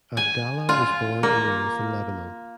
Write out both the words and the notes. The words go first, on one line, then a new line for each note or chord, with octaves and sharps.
Abdallah was born and raised in Lebanon.
G#5
F4
A#3